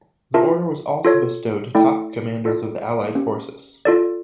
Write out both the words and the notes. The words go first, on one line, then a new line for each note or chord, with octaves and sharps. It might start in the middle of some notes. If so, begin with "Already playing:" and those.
The order was also bestowed to top commanders of the Allied forces.
F4 A#4 E5 A5
F4 A4 C#5
A3 E4 A4 D5 G5
F4 A4 D5
A#3 C#4 G4
F4 A4 D5